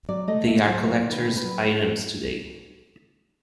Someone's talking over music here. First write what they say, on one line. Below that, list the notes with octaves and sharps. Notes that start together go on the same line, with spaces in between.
They are collectors' items today.
F#3 D5
A3 D#5
A3 E5
F#3 C5
F#3 A#4
D#3
B4
C3
B4
F#3
A3 C5
A3